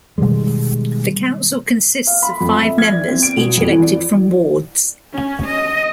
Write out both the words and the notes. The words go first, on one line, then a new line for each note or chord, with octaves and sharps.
The council consists of five members each elected from wards.
B2 D#3 G3 G#3
F5
B5
F2
E5
G#6
D5
C4
D7
B2
F2
E3
D5
C#4
D#5